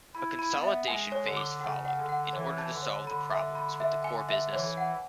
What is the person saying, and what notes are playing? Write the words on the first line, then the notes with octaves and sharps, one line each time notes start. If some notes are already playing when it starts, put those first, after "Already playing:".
A consolidation phase followed, in order to solve the problems with the core business.
E4 B5
B5
B3
E5
G#3 G#5
C#5
D3
D6
C#3 F#5
F#5
D3
F#5
E3 C#5
A5
D3
C#5
D3 B5
E5
B5
E5
G#5
E5
E3 C#5
F#5